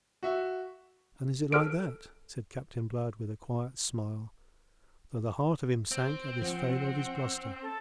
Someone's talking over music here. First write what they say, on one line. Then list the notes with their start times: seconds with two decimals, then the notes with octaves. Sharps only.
"And is it like that?" said Captain Blood with a quiet smile, though the heart of him sank at this failure of his bluster.
0.23 F#4 E5
1.52 A4 F6 D7
5.91 C4
6.42 F3 F#5
7.62 A4